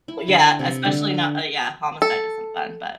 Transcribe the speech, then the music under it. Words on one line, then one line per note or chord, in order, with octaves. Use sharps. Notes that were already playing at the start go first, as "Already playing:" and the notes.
Well, yeah, especially not uh, yeah, homicide isn't fun, but
E4
D3
C3
D3
A4